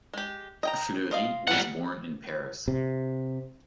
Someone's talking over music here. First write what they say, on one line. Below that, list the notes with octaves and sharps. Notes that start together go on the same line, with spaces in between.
Fleury was born in Paris.
G#3 G4
D#5 G5 A#5
F4 D#5 F5
E3 G3 G#3 A#4 F#5
C3